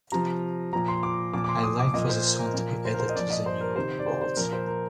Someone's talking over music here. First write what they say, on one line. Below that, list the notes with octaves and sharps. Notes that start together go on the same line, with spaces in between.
I'd like for this song to be added to the new waltz.
C3 F3 A#5
A#2 F3 A#5
C6
D6
A#2 F3 D6
D6
C6
D#6
D6
A#2 F3 D#5
C5
A#4
A#4
A#2 F3
C5
A#4
C5
D#5
A#2 F3 D5
D#5
C5
A#4
C3 D#3 C5
D5
C5
C5
A#2 F3 A#4
C5
A#4